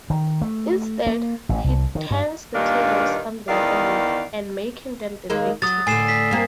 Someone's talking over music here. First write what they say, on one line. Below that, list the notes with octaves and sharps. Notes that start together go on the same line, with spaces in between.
Instead, he turns the tables on them and making them the victims.
D#3
A3
A#3
A1
C2
D#3
G2
G2 A#2 D#3 A#3 D4
E2 D#3 B3 D5 F5
D#2 G#3 A#3
F#3 D#6 A6
A2 D3 G#5 C7 E7
B6
G2 A#3 C4